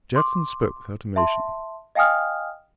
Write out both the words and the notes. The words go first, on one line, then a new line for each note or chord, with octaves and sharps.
Jackson spoke without emotion.
C6 D6
E5 A5 C6
D#5 F5 G5 G#5 D#6 F6